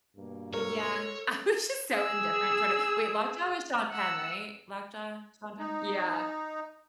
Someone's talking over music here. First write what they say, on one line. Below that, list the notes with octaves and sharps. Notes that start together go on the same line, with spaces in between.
yeah. I was just so indifferent toward it wait, Lockjaw was Sean Penn, right? Lockjaw? Sean Penn? Yeah,
G2 B2 A#3
A4 A#4 C#5
G#4 E6
F#5 E6
D#4